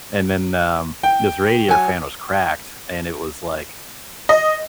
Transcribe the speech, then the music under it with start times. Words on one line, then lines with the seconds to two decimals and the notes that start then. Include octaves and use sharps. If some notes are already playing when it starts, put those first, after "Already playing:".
and then, um, this radiator fan was cracked, and it was like,
1.03 G5
1.68 F#3 G#5
4.29 D#5